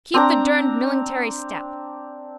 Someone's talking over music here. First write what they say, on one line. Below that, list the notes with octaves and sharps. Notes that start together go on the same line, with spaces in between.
Keep the durned millingtary step.
C4 D4 A#5